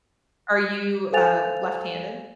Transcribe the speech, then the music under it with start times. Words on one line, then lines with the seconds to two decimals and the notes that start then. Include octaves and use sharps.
are you, uh left-handed?
1.13 A4 C5 F5 G#5 A6 F7